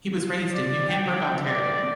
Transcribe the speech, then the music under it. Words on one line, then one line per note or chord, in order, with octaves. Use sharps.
He was raised in New Hamburg, Ontario.
D5
G5
D5